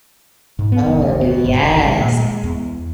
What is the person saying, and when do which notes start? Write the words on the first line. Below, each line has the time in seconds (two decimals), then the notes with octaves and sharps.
Oh, yes.
0.59 G#2
0.72 B3
0.86 F1
1.02 D2
1.21 B2
1.44 G1
1.63 F1
1.74 A1
1.86 G#3
1.99 A#2
2.19 G#3
2.44 E2